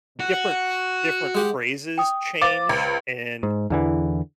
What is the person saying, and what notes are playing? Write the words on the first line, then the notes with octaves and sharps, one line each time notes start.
different ph different phrases change and,
F#4
G#3 G4 F#5
G5 D#6
C5 F5 D6 A6
C#2
G#2
E2 D3 E3